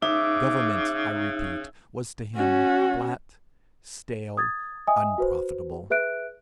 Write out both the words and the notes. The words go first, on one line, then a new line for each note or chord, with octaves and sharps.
Government, I repeat, was to him flat, stale, unprofitable.
C#3 D#4 E5 D6
C#4 F#4
D#6 G#6 A6
D#5 E5 G5 G#5 D#6
F#4 B4 C5
G#4 B4 E5 F#6 D7